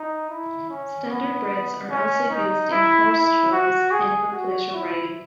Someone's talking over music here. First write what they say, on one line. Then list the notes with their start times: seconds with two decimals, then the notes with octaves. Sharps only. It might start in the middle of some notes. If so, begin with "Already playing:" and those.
Standardbreds are also used in horse shows and for pleasure riding.
Already playing: D#4
0.30 E4
0.70 C#4
1.10 B3
1.90 C#4
2.31 D#4
2.71 E4
3.12 E4
3.52 F#4
3.92 G#4
4.33 F#4
4.72 E4